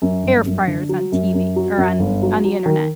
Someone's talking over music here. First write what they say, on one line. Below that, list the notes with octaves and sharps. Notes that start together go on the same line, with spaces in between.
air fryers on TV or on on the Internet,
F#2
G1
F#2
D3
F#3
F#2
F#2
F#3
F#2
G1
F#3
F#3
D#3